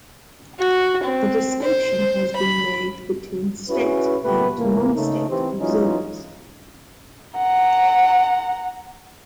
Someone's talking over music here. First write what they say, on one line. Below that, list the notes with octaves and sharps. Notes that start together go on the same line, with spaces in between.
A distinction has been made between state and non-state observers.
F#4
C4
C5
B5
C#4 E4 F#4 G#4 B4
C#2 A#2 A3 B3 G4 B4
C#2 A2 E3 A#3
C#3 A3 D#4
E3 C4 G4
E3 F#3 G#3 C#4 D#4 F4
F#5 A#5